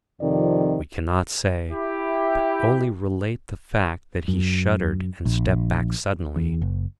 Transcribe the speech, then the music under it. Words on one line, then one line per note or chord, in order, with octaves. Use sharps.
We cannot say; but only relate the fact that he shuddered and stepped back suddenly.
F2 C3 D#3 F3 D5
E4 G4
F#2
A#1
E2
F#1